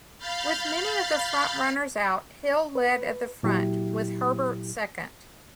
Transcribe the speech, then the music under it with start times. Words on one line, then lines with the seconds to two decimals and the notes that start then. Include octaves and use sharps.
With many of the front-runners out, Hill led at the front, with Herbert second.
0.18 F5 B5 F6 G6 A6
2.75 B4
3.43 A#2 F#3 E4 G4